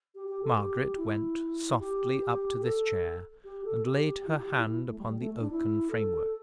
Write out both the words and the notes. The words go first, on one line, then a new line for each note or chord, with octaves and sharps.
Margaret went softly up to this chair, and laid her hand upon the oaken framework.
G4
G4
A4
G4
E4
G4
A4
G4
A4
G4
E4
G4
G4
E4
E4
A3
G3
G3
A3
D4
E4
A4